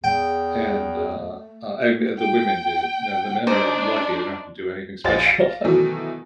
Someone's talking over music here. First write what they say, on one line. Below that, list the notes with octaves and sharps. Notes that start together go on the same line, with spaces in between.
And, uh, uh, I men the women did, now the men are lucky, they don't have to do anything special
E2 G#4 G5
A3
G5
D4 D#4 C5 D5
A#1 C5 D#5 F5 G#5 A6
F5 A#6
B2 D#3 E3 F#3 A3